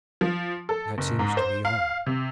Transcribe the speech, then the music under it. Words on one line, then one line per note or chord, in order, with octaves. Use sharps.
That seems to be all.
F3
A4
F#1
G#2
C5
F5
C3